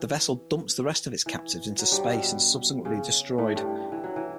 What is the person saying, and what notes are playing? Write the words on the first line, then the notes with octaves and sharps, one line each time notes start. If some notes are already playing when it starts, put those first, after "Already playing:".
The vessel dumps the rest of its captives into space and is subsequently destroyed.
Already playing: E3
E3
F#3
G2 G3
B2 B3
C#3 C#4
A2 A3
G2 G3
E3
F#3
E3